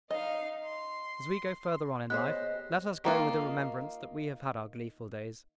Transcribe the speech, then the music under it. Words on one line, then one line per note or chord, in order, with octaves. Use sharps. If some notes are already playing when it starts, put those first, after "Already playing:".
As we go further on in life, let us go with the remembrance that we have had our gleeful days.
D#4 D#5 F5
C6
B3 G4 G#4 C5 C#5 D#5 F#6
D#3 A#3 F4